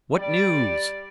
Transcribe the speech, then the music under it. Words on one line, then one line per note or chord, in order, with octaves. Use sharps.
"What news?"
G3 D5